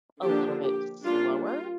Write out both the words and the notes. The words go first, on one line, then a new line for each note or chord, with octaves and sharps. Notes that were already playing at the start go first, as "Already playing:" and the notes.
a little bit slower.
D3 F3 A#3 D4 G4
G4
G3 A#3 D4 F4
F4